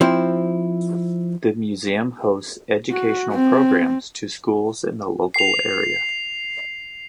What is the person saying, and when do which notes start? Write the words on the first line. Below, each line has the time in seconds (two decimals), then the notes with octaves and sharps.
The museum hosts educational programs to schools in the local area.
0.01 F3 C4 E4
2.91 F#4
3.32 C4
5.34 C7 F7